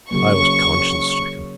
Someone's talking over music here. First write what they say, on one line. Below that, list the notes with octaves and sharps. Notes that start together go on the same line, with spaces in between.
I was conscience-stricken.
C#3 F#3 A#3 C#6